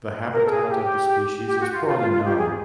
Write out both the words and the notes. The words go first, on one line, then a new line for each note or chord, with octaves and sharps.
The habitat of the species is poorly known.
A#4
A4
G#4
G4
G4
F#4
F4
F4
F4
F4
G4
G#4